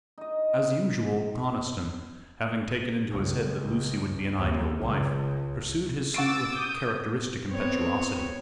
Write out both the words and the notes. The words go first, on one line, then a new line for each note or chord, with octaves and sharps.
As usual, Conniston, having taken into his head that Lucy would be an ideal wife, pursued his suit with characteristic impetuosity.
D#4 D#5
C#2
D#2
C#2
F#5 C#6 D6 E6 A6 D7
D#6 G6
B3 C4 C#5